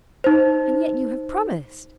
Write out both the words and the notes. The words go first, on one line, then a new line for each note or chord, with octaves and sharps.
"And yet you have promised?"
D#4 C5